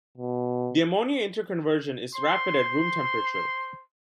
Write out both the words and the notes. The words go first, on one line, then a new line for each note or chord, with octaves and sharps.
The ammonia interconversion is rapid at room temperature.
B2
C5 C6